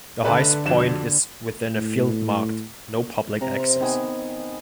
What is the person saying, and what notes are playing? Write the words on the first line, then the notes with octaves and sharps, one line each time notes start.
The highest point is within a field marked "No public access".
D3 A3 B4 A5
F2 F#4 E7
A2
C3 A#5
C6
D#3 B3 G#5